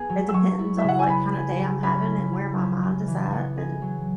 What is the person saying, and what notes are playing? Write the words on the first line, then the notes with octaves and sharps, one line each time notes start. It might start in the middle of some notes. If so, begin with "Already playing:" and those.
It depends on what kind of day I'm having and where my mind is at and,
Already playing: B3 G#4
F#3
E6
F#3 C#6
E4
E5
C#3 F#5
G#5
B3 B5
G#4
F#3
C#4 B5
E4
F#3
C#4
C#3
E3
B3
G#4
F#3